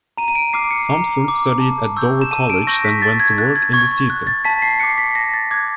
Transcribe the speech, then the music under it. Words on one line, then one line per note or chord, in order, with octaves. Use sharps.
Thompson studied at Dover College then went to work in the theatre.
A#5 D#7
D#7
D7
D6 F6 C7
C#7
A#5
D6 F6
A5
C#6 E6 G6
E7
A5 D#7
D7
C#6 E6 G6 A#6
B6
C#6 A6
G#6
F#6 A6
G#6
C#6 G#6
G#6
F#6
A6
A5 B6
C7
D6 F#6 C#7
B6
A5 A#6
A6
D6 F#6 G#6